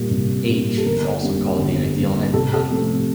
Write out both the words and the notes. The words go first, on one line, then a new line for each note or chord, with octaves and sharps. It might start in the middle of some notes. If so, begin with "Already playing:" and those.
"H" is also called the ideal hyperplane.
Already playing: A#2 G3 A#3
C2
A#2 G3 A#3
A4
G1 A#4
F2 D3 G3 A#3
G1
F2 D3 G3 A#3
C2 A4
A4
C3 F3 A3 C4